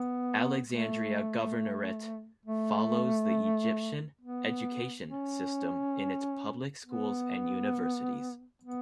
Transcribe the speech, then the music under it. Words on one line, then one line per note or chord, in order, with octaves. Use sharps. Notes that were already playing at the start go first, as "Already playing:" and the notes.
Alexandria Governorate follows the Egyptian Educational System in its public schools and universities.
Already playing: B3
A3
A3
B3
C#4
B3
B3